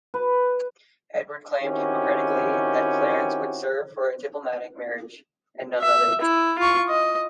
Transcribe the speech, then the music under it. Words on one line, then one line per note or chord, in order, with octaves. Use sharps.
Edward claimed hypocritically that Clarence would serve for a diplomatic marriage and none other.
B4
D#3 C4 C#4 E4 F#4 G4
E5
E4
F4 C#6
D#5